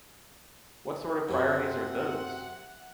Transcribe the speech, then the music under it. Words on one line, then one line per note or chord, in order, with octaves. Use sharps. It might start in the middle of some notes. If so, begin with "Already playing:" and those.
What sort of priorities are those?
F#2 C3 C4 G4 E5 F#5